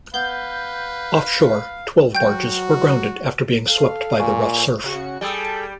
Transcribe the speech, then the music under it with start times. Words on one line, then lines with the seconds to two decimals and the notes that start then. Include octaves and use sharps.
Offshore, twelve barges were grounded after being swept by the rough surf.
0.14 B3 B4 F5 G6
2.15 F#3 F#4 G5 G6
3.68 A4 F5
4.20 A#2 G#5 C#6
4.84 C#3 F#4 C#7
5.21 G3 G#4 A4 G5